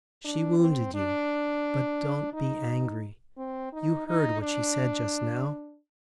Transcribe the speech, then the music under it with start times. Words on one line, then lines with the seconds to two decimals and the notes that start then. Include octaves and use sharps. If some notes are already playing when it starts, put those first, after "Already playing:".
She wounded you, but don't be angry. You heard what she said just now?
0.25 D4
0.59 C4
0.94 D4
2.33 D#4
3.37 C4
3.73 D#4
4.07 D#4
4.42 D4